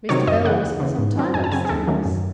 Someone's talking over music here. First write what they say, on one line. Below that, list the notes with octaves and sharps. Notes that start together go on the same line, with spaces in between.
Mr. Bell was some time up-stairs.
C3 D#3 F#3 C4 C#5
F#2 D#5
C#3 E3 F#5
D#2
C#3 E3
G#2
D#3 F#3 C4
F#2 G#5
A5
C#3 F#3 C4 G#5
G#4
D#2 A4
D#3 F#3 A3 C#4
F#2